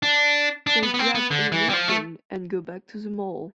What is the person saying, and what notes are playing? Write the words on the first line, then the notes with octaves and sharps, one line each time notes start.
They grab ammunition and go back to the mall.
D4
D4
B3
B3
C4
B3
D3
E3
G3
F3
A3